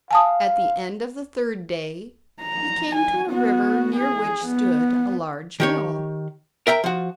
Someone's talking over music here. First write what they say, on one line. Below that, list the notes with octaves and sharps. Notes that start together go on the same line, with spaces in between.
At the end of the third day he came to a river near which stood a large mill.
F5 G#5 A5 D#6
A#5
G#5
B3 F#4
G#4
B3
D#3 G4 C#5
A#4 E5 G5 A#5
F3 F#4